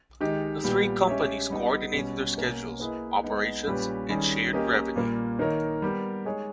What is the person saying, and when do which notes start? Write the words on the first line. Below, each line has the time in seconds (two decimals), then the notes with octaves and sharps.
The three companies coordinated their schedules, operations, and shared revenue.
0.21 D#3 G#3 D#4 G4
0.64 A#2 G3 B3 G4
1.07 G#3 C#4 G4 C#5 E5
1.50 G3 B3 D#4 G4
1.93 B2 G3 C#4
2.37 B2 A#3 C#4
2.80 A#3 E4 G#4 B4 D#5
3.24 G#3 B3 D#4
3.67 A#2 G3 C#4 G4 B4
4.09 D#3 G3 C#4 G#4
4.53 A#3 C#4 G4 A#4 D#5
4.96 A#2 G3 A#3
5.39 D#3 A#3 D#4 A#4 C#5
5.82 G3 B3 G4 A#4
6.25 G#3 D#4 G#4 C#5